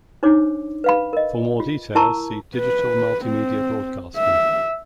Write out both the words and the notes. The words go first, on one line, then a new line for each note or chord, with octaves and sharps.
For more details see Digital Multimedia Broadcasting.
D4 D#4 C5 C#5 D6
B4 F5 B5
A#4 D#5
F4
E4 A#4 A5 A#5 C#6 E6
B4
C4
E5